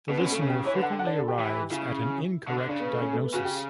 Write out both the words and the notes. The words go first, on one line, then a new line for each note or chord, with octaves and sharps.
The listener frequently arrives at an incorrect diagnosis.
B2 B3
D3 C#4
B2
C#3 A3
C#3 C#4
G4
E3 C#5
D3 B4
F#5
G5
F#5
D5
A4
G4
E3
C#3 E4
D3
D3
C#3 D4
B3
A3
C#4
A3
B3
C#3 F#4
G4